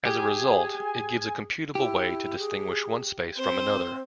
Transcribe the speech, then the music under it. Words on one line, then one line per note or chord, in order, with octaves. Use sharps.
As a result, it gives a computable way to distinguish one space from another.
G4 G#4 G#5
E4 G4
G#4
C4 C5